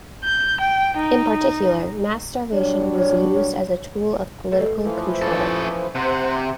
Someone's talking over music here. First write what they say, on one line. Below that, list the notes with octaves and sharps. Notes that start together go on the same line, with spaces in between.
In particular, mass starvation was used as a tool of political control.
G6
G5
D#4
F#3 G3 D4 C#5
B2 A3
E3 F3
C#4 A4
C3 C5 F#5